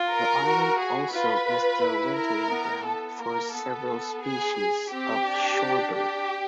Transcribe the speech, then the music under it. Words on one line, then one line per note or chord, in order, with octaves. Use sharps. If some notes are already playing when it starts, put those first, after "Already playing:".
The island also is the wintering ground for several species of shorebird.
Already playing: F4
A#4
F#4
G#4
F4 B4
F4
E4
A#4
B3
B3 A4
A#3 A#4
B3 A4
G#4
G#4
C4 G4
D4
G4